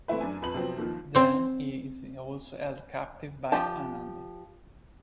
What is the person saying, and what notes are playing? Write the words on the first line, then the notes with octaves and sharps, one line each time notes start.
Then he is also held captive by Anand.
E3 A3 C4 E4 B4
F#2 D4 G#5
F2 B4 B5 F#7
C3 F3 F#3 B3 C4
D#2 D#3 F3
C4 G5
F3 G4 A5